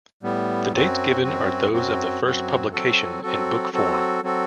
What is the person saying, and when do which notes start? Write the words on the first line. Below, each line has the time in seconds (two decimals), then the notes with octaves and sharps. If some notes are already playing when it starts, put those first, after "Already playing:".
The dates given are those of the first publication in book form.
0.23 A2 G3 B3
0.72 F#2 F#3 C4 F#4
1.22 F#2 F#3 C4 F#4
1.73 F#2 F#3 C4 F#4
2.23 F#2 F#3 C4 F#4
2.73 F#3 C4 F#4 A4
3.23 F#3 C4 F#4 A4
3.73 F#3 C4 F#4 A4
4.23 F#3 C4 F#4 A4